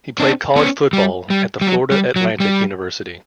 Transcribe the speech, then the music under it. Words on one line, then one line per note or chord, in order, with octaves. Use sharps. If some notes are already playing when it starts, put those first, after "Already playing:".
He played college football at the Florida Atlantic University.
C4 D4
B3 C#4
G3
G3
G3
F#3
G3
F#3
G3